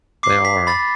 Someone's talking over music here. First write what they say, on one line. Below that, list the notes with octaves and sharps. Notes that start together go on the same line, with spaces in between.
They are.
D6 C7
B6
B5 A6